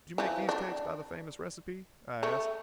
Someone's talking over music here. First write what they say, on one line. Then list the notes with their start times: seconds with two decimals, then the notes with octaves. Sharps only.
"Did you make these cakes by the famous recipe?" I asked.
0.18 E3 F3
0.49 D4
2.23 A3